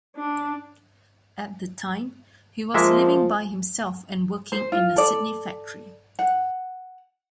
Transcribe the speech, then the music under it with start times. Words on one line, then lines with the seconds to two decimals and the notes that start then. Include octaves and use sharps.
At the time, he was living by himself and working in a Sydney factory.
0.16 D4
2.74 F3 G#3 A#3 E5
4.52 C5
4.72 F4
4.96 A4 D5
6.19 F#5